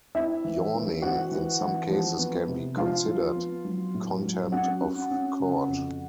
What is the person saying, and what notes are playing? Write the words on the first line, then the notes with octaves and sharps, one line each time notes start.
Yawning in some cases can be considered contempt of court.
C4 E4 E5
E3
E3
C4 F#4 F#5
E3
E3
F3
B3
C3
F3 F4 F5
F3
B3
F#3
A2
F#3
C#4 F#4 F#5
C#4
C#4
C#3
F2